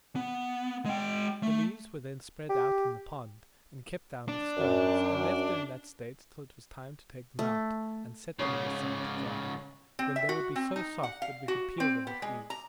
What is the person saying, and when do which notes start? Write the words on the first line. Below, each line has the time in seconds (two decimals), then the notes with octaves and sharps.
The leaves were then spread out in the pond, and kept down with stones, and left there in that state till it was time to take them out and set them in the sun to dry, when they would be so soft that we could peel them with ease.
0.16 B3
0.85 G#3 G5
1.43 A3
2.49 G4
4.29 D4
4.57 F#2 C#4
7.39 A3
8.39 G#2 C#3 C#4 C#5 D#6
9.99 C4
10.16 E5
10.29 F#4
10.56 C4
10.76 D#4
11.03 F#5
11.22 F5
11.48 F#4
11.80 C4
12.07 B3
12.22 G#3
12.50 A#5